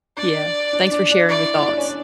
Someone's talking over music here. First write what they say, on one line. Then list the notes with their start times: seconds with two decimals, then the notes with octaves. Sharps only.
Yeah, thanks for sharing your thoughts.
0.17 D4 D5
0.73 D4
0.91 D4
1.10 D4
1.29 E4 D5
1.57 E4
1.67 D4
1.77 C#4
1.88 D4